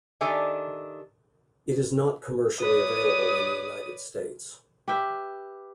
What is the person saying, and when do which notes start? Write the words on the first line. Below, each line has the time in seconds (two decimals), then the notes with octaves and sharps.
It is not commercially available in the United States.
0.21 D#3 D4 G4 A4 E5 G#5
2.60 B4 C#5 D5 D#6
4.88 G4 B4 E5 G5